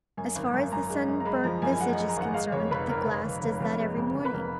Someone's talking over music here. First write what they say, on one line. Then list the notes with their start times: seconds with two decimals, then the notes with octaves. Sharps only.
'As far as the sun-burnt visage is concerned, the glass does that every morning.'
0.17 F#2 G#5
0.35 G#1
0.54 F#2
0.72 F#2 A#5
0.90 G#3
1.08 F#2
1.20 A#5
1.25 G#3 B5
1.44 F3 A#5
1.62 F#2 G#5
1.73 G#5
1.81 G#3 F#5
1.93 D#5
1.99 G#3
2.08 A#5
2.17 G#1 F#5
2.34 G#3 F5
2.52 F2 C#5
2.71 F1 B4
2.88 F1 A#4
3.07 F1
3.25 F1
3.43 F1
3.61 F2
3.80 G#3
3.97 F2
4.15 F2
4.25 B4
4.34 F2 A#4